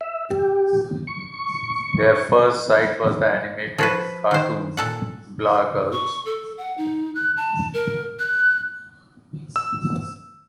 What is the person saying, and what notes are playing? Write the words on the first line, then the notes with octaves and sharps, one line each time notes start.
Their first site was the animated cartoon "Blah Girls".
E5
G4
C#6
F3 F#4 B4
D#3 C5
A#2 A4 F#5
C#6
A4
F#5
D#4
F#6
A5
A#4
F#6
E6